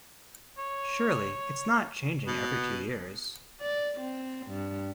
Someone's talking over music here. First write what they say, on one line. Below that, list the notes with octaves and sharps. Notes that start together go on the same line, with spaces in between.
Surely, it's not changing every two years.
C#5
B2 B3
D5
C4
G2